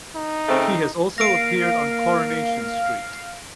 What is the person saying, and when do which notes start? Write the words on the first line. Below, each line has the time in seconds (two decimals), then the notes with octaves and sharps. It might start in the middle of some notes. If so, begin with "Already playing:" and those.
He has also appeared on "Coronation Street".
0.15 D#4
0.49 C#3 A3 C4
1.18 A#3 F5 A#6 D7